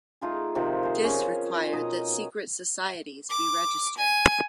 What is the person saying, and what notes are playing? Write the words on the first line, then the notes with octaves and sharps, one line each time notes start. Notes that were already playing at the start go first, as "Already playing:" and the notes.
This required that secret societies be registered.
A3 D#4 F4 G#4
C3 D#3 F3
G#4 C5
C#4
B2 D#5 A#5
D6
G#5